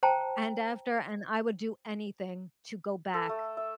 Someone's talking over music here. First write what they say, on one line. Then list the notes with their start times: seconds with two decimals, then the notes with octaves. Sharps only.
and after and I would do anything to go back.
0.03 C5 G5 A5 A#5
3.14 A4
3.29 A3
3.57 E5